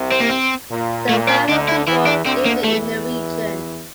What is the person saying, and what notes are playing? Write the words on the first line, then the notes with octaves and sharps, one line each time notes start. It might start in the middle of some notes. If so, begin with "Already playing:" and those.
The Warao people live in the region.
Already playing: C2 C3
C4
A#3
C4
A#2
A#2 A3
C4
D2 D3 D4
E4
E2 E3 E4
D4
D2 D3 C4
A#3
E2 E3 A3